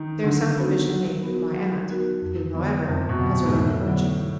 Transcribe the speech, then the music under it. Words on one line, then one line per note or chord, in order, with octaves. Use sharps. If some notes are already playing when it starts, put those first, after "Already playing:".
There is some provision made for my aunt, who, however, has her own fortune.
Already playing: D#3
D3 F#3
B3 D#4 F#4 A#4
F#3
B3 D#4 F#4 A#4
F#3
B3 D#4 F#4 A#4
F2
D3 F#3 B3
F2 C3
B2
D3 F#3 B3
G#2
F2 A2
D3 F#3 B3